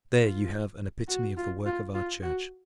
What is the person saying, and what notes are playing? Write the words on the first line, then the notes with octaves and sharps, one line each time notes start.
There you have an epitome of the work of our Church.
F4
F#4
F4
F4
F4
F#4